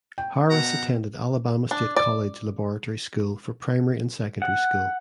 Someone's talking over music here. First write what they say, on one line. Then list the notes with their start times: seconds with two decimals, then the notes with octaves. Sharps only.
Harris attended Alabama State College laboratory school for primary and secondary school.
0.18 G5
0.50 B2 F#5 A#5
1.71 D4
1.96 D5
4.42 F#5